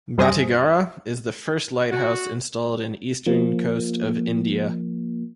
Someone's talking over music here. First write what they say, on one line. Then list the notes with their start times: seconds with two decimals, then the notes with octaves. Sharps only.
"Batighara" is the first lighthouse installed in eastern coast of India.
0.18 F#2 G3 C5 G#5 D#6 A#6
1.91 F#4
3.26 F3 A#3